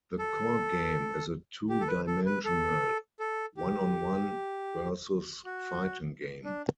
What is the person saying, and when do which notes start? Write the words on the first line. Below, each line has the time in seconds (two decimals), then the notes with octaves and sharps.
The core game is a two-dimensional, one-on-one, versus fighting game.
0.19 A4
1.69 G4
1.81 A4
1.88 B4
2.07 A4
2.26 B4
2.45 A4
3.19 A4
3.57 G4
5.45 F#4
6.45 D4